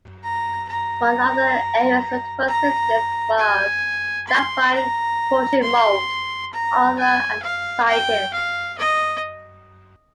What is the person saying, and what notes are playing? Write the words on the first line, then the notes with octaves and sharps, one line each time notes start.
One of the area's notable residents was Daphne Pochin Mould, author and scientist.
A#5
A#5
A#5
G#5
C6
A#5
C6
A#5
G#5
F5
G5
F5
D#5